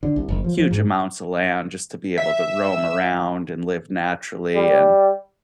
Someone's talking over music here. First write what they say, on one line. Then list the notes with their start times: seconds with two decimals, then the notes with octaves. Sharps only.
huge amounts of land just to be able to roam around and live naturally, and
0.03 D3
0.16 C2
0.29 F#1
0.44 F3
0.58 F3
0.71 G#2
2.18 E5
4.55 G3